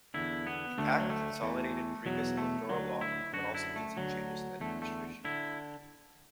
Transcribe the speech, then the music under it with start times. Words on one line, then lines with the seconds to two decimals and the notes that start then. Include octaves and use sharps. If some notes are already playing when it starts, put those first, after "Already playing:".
The Act consolidated previous electoral law, but also made some changes to administration.
0.14 E2 D3 E4
0.47 B3
0.78 D2 D3 A3
1.00 F#3
1.10 A3
1.42 E2 E3
2.05 E2 B2 F#3
2.37 A3
2.69 D2 D3 F#3
3.01 E4
3.33 F#2 D3 F#4
3.55 E4
3.76 A3
3.97 D2 D3 F#3
4.60 E2 D3 A3
4.82 A3
5.25 D3 E4